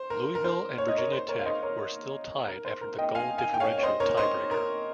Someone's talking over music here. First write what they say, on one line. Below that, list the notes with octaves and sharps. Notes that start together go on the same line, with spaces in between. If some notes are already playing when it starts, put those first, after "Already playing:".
Louisville and Virginia Tech were still tied after the goal differential tiebreaker.
Already playing: C5
A#4
A#4
C5
C#5
D#5
A#4 C#5
C5
A#4 C#5
F5
C5 D#5
A#4 C#5
A#4
C5
A#4
D#5 G5
F5 G#5
F5 G#5
G5
C#5 F5
C#5
C5 D#5
A#4 C#5
C5 D#5
A#4